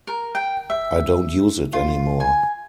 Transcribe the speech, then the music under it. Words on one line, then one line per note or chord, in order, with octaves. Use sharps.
I don't use it anymore.
A#4
G5
E5
F4
G#5